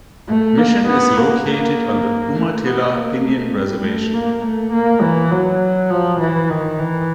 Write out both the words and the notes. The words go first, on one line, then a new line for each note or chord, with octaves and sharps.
Mission is located on the Umatilla Indian Reservation.
A3
A#3
B3
A#3
A#3
A3
B3
A#3
A3
G3
A3
A#3
A3
A#3
E3
F#3
F3
E3
D#3
E3